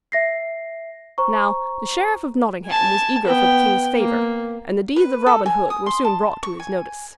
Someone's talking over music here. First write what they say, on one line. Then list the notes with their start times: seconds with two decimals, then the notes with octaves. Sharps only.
Now the Sheriff of Nottingham was eager for the King's favor and the deeds of Robin Hood were soon brought to his notice.
0.12 E5 A#6 C7
1.18 C5 A#5 C#6
2.66 G#5 A5
3.26 B3 G5
3.98 A#3
4.96 B4
5.26 A4
5.46 G#5
5.70 D#6
5.86 C6
6.04 A5
6.43 C#6
6.60 G#5